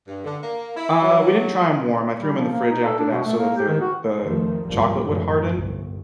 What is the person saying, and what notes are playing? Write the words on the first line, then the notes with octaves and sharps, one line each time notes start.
Uh, we didn't try 'em warm, I threw them in the fridge after that so that the the chocolate would harden.
G2
D3
A#3
E4
F#3
G3
F3
A#3
D#4
A4
D4
B2
A3
A#3
G4
D#3
F#4
C2 F2 D#3 F3 A3
G1 C#2 G#2 F3 G3 A#3
F#2 A2 C3 E3 F3
G1 C2